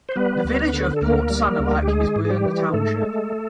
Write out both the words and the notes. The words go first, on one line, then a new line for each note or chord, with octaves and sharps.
The village of Port Sanilac is within the township.
C5
G3 B3 B4
D2
D3
A4
D2 A#3 A#4
G3
D2
G4
G#3 G#4
G#2
G#4
G3 G4
E3
G#2 A3 A4
G#3